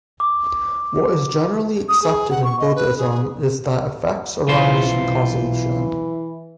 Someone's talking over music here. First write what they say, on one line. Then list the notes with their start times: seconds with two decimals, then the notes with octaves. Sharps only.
What is generally accepted in Buddhism is that effects arise from causation.
0.20 D6
1.89 D#6
2.02 G#4
2.30 F#5
2.44 C#6
2.60 D#5
2.76 B4
2.98 G#4
4.48 B1 E3 F4 C5